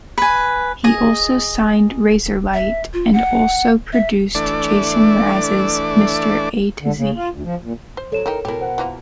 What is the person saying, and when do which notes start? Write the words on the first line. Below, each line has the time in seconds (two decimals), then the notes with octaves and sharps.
He also signed Razorlight, and also produced Jason Mraz's "Mr. A-Z".
0.18 B4 G#5
0.84 G#4 D#5
2.54 E5
2.94 F4
3.13 F#5
3.93 E5
4.35 E3 A3 D4 D5
6.81 D3
6.97 C#3
7.16 F4
7.32 D2
7.44 F3
7.62 A#2
7.97 C5
8.12 F#3 G#3 A4 C#5 E7
8.26 E3 D#4 A#4 G5
8.45 B2 E4 G4 A#4
8.61 C5 F#5
8.78 E3 A#3 F4